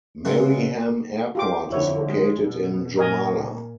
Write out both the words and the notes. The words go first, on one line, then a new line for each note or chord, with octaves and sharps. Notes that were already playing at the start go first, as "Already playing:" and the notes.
Mariehamn Airport is located in Jomala.
C#3 E3 F#3 G#3 F4
F4 G4 D6
F2 D3 E4 C#5
G#3
B2
A#2 A#4 D#5 G#5